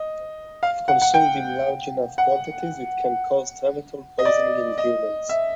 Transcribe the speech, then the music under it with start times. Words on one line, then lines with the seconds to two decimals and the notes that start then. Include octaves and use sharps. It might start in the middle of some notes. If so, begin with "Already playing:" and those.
If consumed in large enough quantities, it can cause tremetol poisoning in humans.
Already playing: D#5
0.63 F5
0.88 F#5
1.02 F#5
1.14 G5
2.18 F#5
4.19 D#5
4.25 D5
4.78 D#5
5.29 E5